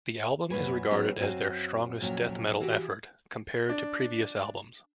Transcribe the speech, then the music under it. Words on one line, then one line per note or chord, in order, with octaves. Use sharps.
The album is regarded as their strongest death metal effort, compared to previous albums.
F#2 A#2 B4 G#5
A2 F#3 A3 B3 C#4 G#4
F#2 C4 F#4 G4 F5 G#5
F2 A#2 F#3 C#4
E3 F#4 G4
D4